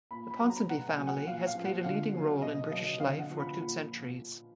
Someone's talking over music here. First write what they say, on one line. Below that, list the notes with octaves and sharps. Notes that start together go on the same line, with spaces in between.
The Ponsonby family has played a leading role in British life for two centuries.
A#2 B5
B5
F#3
A#5
B2 F#5
G#5
F#3
F#5
A#2 F5
F5
F3
F#5
D3 F5
F#3
B2 D#5
F#3 D#5
D3 F5
F#5
F3
B5
A#2
F3